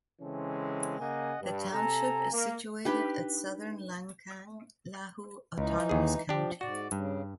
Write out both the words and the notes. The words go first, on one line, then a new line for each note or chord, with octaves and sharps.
The township is situated at southern Lancang Lahu Autonomous County.
C#3 E3 G#3 C4 C#4 A4
C#3 A#3 D#5 F#5 G#5
G2
C3 A4 G#5 A#5
A#3
D4 D#4 G4 B4 G7
C#2 E3 D#4
D#2 G#4
F3 D4 G4
G#2 F#4 D5
G2 C#3